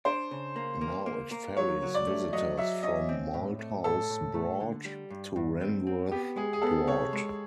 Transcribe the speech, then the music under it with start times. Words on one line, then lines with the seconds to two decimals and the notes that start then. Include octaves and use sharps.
Now it ferries visitors from Malthouse Broad to Ranworth Broad.
0.05 D4 C5
0.31 C#3
0.56 A#3
0.81 A#3
1.06 A#3
1.31 A#3
1.57 F#3 C#5
1.82 F#3
1.94 D5
2.07 A3
2.33 F#3 D#5
2.57 F#3 E5
2.83 C#4 D#5
3.09 C4
3.34 A2
3.59 A3
3.84 A2 A4
4.10 A2
4.34 A3
4.60 D3
4.85 G3
5.10 G2
5.36 G2
5.61 C4
5.87 C4
6.12 B3 G4
6.36 G#3 G#4
6.53 G#4
6.62 B3 A4
6.87 C3 C#5
7.13 G#3